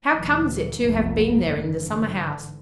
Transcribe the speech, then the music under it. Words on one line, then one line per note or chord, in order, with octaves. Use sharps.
How comes it to have been there in the summer-house?
D2 A#2 E3 F#3
F1 B1 G2 F3 A#3 B3
G#1 D3 E3